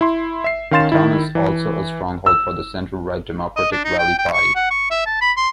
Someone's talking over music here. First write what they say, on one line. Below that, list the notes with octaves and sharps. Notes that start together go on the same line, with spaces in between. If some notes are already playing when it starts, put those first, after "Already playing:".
The town is also a stronghold for the centre-right Democratic Rally party.
E4 C6
E5 C7
D#3 C#4 F5 C6 A6 E7
D#3 E4
E3
E6
D#5
D4
D#4
G5
G5
C#6
F#5
C#6
E5
A5
B5
C6